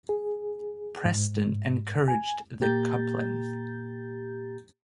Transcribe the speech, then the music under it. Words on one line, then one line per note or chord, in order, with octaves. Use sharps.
Preston encouraged the coupling.
G#4
G#2
G#5
A#2 A#3 G4 A#5 G6 A6